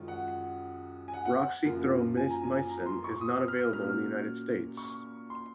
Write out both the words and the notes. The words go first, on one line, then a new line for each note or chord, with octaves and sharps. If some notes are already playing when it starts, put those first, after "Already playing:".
Roxithromycin is not available in the United States.
Already playing: F#2 D#3 G#3 C#4 F4
F#5
G#5
F#5
F#5
F#2 F3 A#3 F4 A#4
G#5
A#5
G#5
A#5
C6
C#6
D#6
F6
A#2 F#3 C#4 F6
C#6
C6